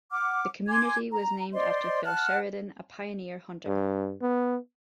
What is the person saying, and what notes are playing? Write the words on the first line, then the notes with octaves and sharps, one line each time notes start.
The community was named after Phil Sheridan, a pioneer hunter.
F#5 D6 F6
G#5 C6 D6 G#6
A#5
C5 D5 D#5 C6
F#5 A5 F6 F#6
G2
B3